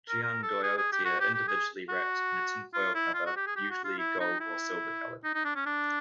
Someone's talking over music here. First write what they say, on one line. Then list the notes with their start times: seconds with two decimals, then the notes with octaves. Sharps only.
Gianduiotti are individually wrapped in a tinfoil cover, usually gold or silver-colored.
0.09 A#4
0.23 A#4
0.43 A4
0.63 G#4
0.77 G#4
0.92 G4
1.05 F#4
1.20 G4
1.34 G4
1.48 G#4
1.89 F#4
2.74 F4
2.95 E4
3.14 F4
3.26 F#4
3.36 G4
3.47 G#4
3.56 G4
3.71 F#4
3.85 F4
3.98 E4
4.20 D#4
4.40 E4
5.24 D#4
5.34 D#4
5.45 D4
5.56 C#4
5.66 D4